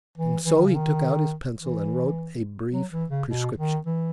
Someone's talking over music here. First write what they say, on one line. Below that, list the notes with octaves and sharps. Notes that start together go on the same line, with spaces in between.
And so he took out his pencil and wrote a brief prescription.
E3
E3
D#3
C#3
D#3
E3
F#3
E3
C#3
B2
D#3
E3